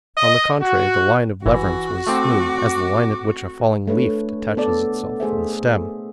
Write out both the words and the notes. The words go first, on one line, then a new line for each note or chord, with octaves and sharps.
On the contrary, the line of leverance was smooth as the line at which a falling leaf detaches itself from the stem...
D#5
F#4
G1 E3 F#4
A3 C4 D6
A3 D4 B4 C#5
B3 A4 D5
A3 G#4 C5 E5